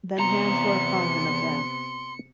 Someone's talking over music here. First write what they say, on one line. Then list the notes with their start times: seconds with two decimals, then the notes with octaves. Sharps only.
Then hands were upon him again.
0.18 E2 C3 B3 A#5 C6 C#7